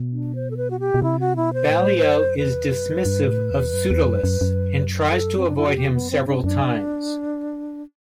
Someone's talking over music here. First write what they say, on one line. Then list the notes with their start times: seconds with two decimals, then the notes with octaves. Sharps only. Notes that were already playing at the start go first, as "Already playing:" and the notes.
Ballio is dismissive of Pseudolus, and tries to avoid him several times.
Already playing: B2
0.12 D4
0.35 C5
0.50 A4
0.57 B4
0.70 F#4
0.80 G4
0.94 B2
1.02 C3 E4
1.20 F#4
1.36 B2 E4
1.54 C5
1.70 A2
2.04 F#2
2.37 E2 B4
2.72 F#2
3.06 G2
3.28 A2
3.51 E2
3.73 F#2
3.90 E2
4.07 F#2
4.24 F#2
4.41 F#2
5.09 A4
5.37 C4
5.47 D4
5.57 E4
5.67 F#4
5.76 E2 G4
5.93 B3
5.99 F#2
6.10 C4
6.21 G2 C4
6.27 D4
6.38 C4
6.44 F#2 D4